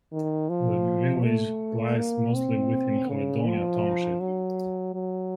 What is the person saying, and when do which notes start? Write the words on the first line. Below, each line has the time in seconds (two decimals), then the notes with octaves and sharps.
The village lies mostly within Caledonia Township.
0.13 D#3
0.49 F3
1.23 A3
1.98 A#3
2.35 C4
3.09 C#3
3.46 F3
4.20 F#3
4.94 F#3